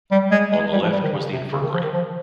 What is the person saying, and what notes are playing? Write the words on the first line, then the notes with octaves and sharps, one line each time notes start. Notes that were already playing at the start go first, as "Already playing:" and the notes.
On the left was the infirmary.
G3
G#3
G#3
G3
F3
G3
D#3
C#3
C3
C#3
D#3
F3
D#3
F3